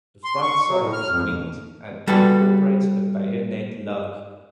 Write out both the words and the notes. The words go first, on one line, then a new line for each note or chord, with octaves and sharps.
The front sight is winged and incorporates a bayonet lug.
C6
C#6
F#3
A2
F6
F2
G3 F#4 A4 B4